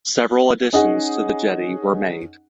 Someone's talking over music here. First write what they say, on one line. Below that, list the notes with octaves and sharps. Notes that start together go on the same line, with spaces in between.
Several additions to the jetty were made.
C#4 D#4 G#4 D#5 F#5